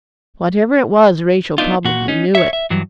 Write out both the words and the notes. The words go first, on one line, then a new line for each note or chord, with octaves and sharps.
Whatever it was Rachel probably knew it.
B3 D4 D#4 F4
A#2 F#4
C#4 D#4
C#5 E5
E5
G2 E3 F#3